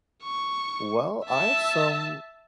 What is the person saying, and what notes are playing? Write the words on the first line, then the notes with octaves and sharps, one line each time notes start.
Well, I have some
C#6
E5 A5